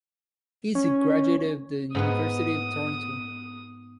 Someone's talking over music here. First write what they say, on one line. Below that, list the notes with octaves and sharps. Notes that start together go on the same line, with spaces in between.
He is a graduate of the University of Toronto.
C#4
G#2 B3 B4 D#6